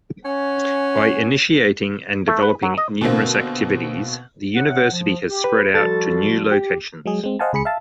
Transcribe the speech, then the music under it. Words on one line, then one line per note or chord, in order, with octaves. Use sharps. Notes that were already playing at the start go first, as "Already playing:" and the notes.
By initiating and developing numerous activities the University has spread out to new locations.
C#4 F#5 G#5
A3
B4
F#3
D#5
B2 D3 A#3 C4
C3 C#5 F#5
F3
G4
B4
F3 G3 F#4 A4 A6
G4
F#3 G#3 G#4
G#3 C4
C5 D#5 F5 F#5 G#5 A5
C#2 G#4 B5 C#7
E5 F5 A5